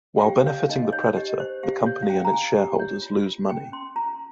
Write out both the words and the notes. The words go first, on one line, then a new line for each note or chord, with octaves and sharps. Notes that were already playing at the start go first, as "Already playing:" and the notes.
While benefiting the predator, the company and its shareholders lose money.
F5
G4 G5
C#5 F5
D#4 D#5
D#4 C#5
G4 D#5
C5
G4 F5
C#5
F5
C#4 G5
A#5
C#4 G#5
G4
C#5
F4
F4
C#4 G5
C#4 C6
F4 A#5